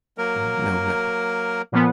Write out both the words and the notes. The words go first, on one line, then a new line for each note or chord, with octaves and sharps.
"No, no."
F#3 A#3 A#4
A#2 F3 B3